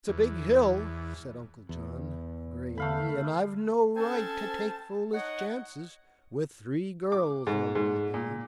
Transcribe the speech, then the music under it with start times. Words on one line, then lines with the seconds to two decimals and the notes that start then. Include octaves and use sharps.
"It's a big hill," said Uncle John, gravely, "and I've no right to take foolish chances with three girls on my hands."
0.08 E2
1.69 E2
2.78 D3 A3 F5 B5
3.97 C4 C#4 A4 C5 G#5 A5
5.13 D#4 C#5 D#5 F#5
7.12 D6
7.47 G#2
7.75 G#2
8.14 A#2